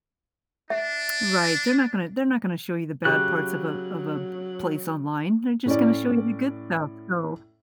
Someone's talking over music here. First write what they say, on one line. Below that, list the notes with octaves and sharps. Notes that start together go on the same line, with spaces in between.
Right, they're not gonna they're not gonna show you the bad parts of a of a p place online, they're just gonna show you the good stuff, so
D4 E5
C#3 F#3 G4 F#6
A2 C#4 D5